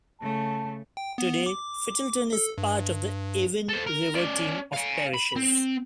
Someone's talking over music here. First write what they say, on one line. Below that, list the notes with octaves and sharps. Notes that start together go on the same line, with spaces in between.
Today Fittleton is part of the Avon River Team of parishes.
C#3 A3 A5
G5
B3
D6
A4
G2
A4 C5
A#4
C#4 D5
F5 G#5
B5
C4